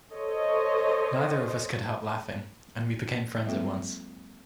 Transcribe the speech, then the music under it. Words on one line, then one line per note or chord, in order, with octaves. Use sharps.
Neither of us could help laughing, and we became friends at once.
A4 C5 C#5 D#5
F#3 G#3 A#3 C4 F4 A4